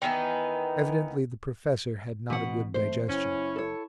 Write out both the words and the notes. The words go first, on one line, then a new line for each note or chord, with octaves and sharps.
Evidently the professor had not a good digestion.
D#3 E3 B3 D#4
D2 B2 E3 C4 F#5
A3 C5
F#1 C#4 E4
A4 C#5